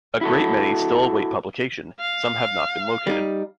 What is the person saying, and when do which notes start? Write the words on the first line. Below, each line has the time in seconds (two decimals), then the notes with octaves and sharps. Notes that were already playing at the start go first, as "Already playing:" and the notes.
A great many still await publication; some have not yet been located.
0.21 E4 F#4 A4
2.00 F5
3.07 G3 D#4